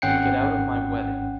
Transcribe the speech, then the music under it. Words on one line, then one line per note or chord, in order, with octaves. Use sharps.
Get out of my way.
G#1 C#4 F#5 G5 C7 C#7